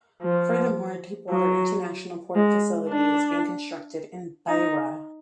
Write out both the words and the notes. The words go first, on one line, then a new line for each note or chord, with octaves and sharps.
Furthermore, a deep-water international port facility is being constructed in Beira.
F3
F#3
G#3
D4
D#4